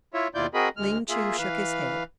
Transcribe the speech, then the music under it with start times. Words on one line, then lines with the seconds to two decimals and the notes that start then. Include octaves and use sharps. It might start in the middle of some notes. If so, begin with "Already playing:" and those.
Ling Chu shook his head.
0.14 E4 F4 C#5 E5
0.35 D#2 B2 E4 F4 D5 G6
0.54 C4 F#4 G#4 A#4 D#5 B5
0.77 D2 G#3 F6
1.09 A#3 F4 G#4 E5
1.38 E3 B4 F5